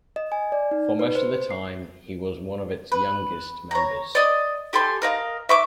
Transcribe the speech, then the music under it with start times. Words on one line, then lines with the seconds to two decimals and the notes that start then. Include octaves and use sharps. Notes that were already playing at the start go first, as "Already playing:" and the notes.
For most of the time, he was one of its youngest members.
0.16 D#5
0.32 G#5
0.52 D5
0.71 D#4
0.99 B4
1.15 C5
1.51 C7
2.92 B4
3.71 C#5 A#5
4.15 D5 D#5
4.73 G4 A4 G#5 C6
5.02 A#4 D#5 F5
5.49 E5 C#6 D6